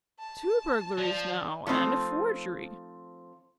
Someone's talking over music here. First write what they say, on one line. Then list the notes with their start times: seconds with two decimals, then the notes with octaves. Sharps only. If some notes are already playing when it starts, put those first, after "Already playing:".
'Two burglaries now, and a forgery!'
0.20 A5
0.98 F3 D5
1.67 F3 A3 C4 D#4